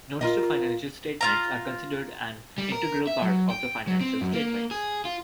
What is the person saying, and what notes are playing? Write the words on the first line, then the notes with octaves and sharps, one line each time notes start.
Notes to financial statements are considered an integral part of the financial statements.
F4 A#4 D#5
F4 F5 A#5
G3
A#4
E5
F#3
G5
F#3
C4
F#2
A#3
G#4
F4